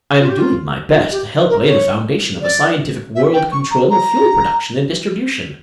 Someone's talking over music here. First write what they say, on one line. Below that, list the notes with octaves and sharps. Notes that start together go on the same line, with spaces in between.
I am doing my best to help lay the foundation of a scientific world control of fuel production and distribution.
F4
G4
F4
F4
G4
A#4
C#5
D5
E5
G5
C#6
A#5
A#5